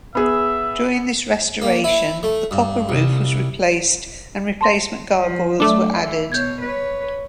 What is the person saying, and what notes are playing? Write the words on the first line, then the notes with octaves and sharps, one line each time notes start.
During this restoration, the copper roof was replaced and replacement gargoyles were added.
B3 G#4 E5
A#3
E4
A3
G2
C2
A5 C6 A#6
F3
F#3 A3 D4 D6
E3
B2 C#5 G6 G#6
B4 C#5